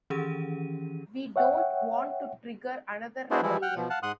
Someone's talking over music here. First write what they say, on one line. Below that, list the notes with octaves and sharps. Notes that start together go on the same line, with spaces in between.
We don't want to trigger another rebellion.
D#3 E3 C#4 G4 G#4 D#7
C#5 E5 F#5 G5
B3 D4 E4 F#4 G#4 C5
E3 F3 G3 G#3 E4
F#5 G5 F6
B2 F3
F5 F#5 A5
G#2 F#5 C6 D#6 F#6